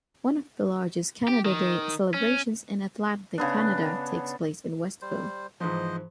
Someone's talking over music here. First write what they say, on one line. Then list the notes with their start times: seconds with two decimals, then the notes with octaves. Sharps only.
One of the largest Canada Day celebrations in Atlantic Canada takes place in Westville.
1.28 G4
1.46 D#3
2.14 C#4
3.38 C#3 B3 D4
5.02 G3 C5
5.60 G#2 E3 F3 C5 D#5